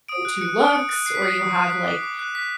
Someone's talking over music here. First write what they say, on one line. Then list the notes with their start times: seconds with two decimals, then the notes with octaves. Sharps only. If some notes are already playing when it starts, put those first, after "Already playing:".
go-to looks, or you have, like,
0.08 D#6 D7
0.25 F#6
0.41 F#6 C#7
0.58 D#6
0.65 D7
0.73 D#6 C#7
0.90 F#6
1.05 F#6 C7
1.15 B6
1.22 D#6 C7
1.38 D#6
1.54 F#6
1.71 F#6
1.87 D6
2.03 D6
2.19 F#6
2.35 F#6 B6